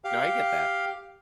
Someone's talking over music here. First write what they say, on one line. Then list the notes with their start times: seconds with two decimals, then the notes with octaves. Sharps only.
No I get that.
0.04 G4 F5